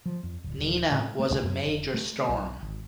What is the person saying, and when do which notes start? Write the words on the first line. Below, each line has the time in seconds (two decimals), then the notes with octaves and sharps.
Nina was a major storm.
0.06 F3
0.23 F2
0.44 D1
0.58 D#1
0.91 A2
1.19 A3
1.44 F#2
1.63 F1
1.94 A3
2.29 B1
2.62 G#1